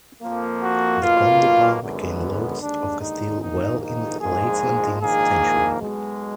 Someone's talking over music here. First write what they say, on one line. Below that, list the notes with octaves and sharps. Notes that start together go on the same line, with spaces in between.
The Comtes de Pas became lords of Kasteel Well in the late seventeenth century.
F2 F3 A#3
F#4
B1 B2 A#3 F4
G#1 F#2 D3 G#3 B3
D#2 D3 G#3 D4
D#4
A#1 G#2 D#3 A#3 D#4
D#4
A#1 G#2 F3 G#3 G#4
A#1 G#2 D#3 A#3 G#4
B1 B2 G#3